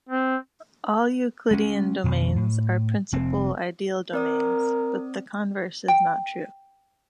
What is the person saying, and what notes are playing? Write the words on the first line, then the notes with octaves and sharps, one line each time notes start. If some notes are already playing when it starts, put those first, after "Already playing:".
All Euclidean domains are principal ideal domains, but the converse is not true.
C4
G#3 C#4
F2 B2 D#3
A2
F1 C4
C4 A#4 D5 D#6
G5